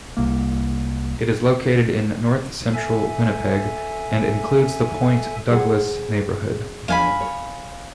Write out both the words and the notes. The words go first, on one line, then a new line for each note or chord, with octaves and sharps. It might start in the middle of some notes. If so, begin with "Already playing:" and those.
It is located in north-central Winnipeg, and includes the Point Douglas neighbourhood.
C2 A#3
A4 E5 G#5
G#4 C5 F#5
E2 F3 D4 F5 G#5 B5
C#5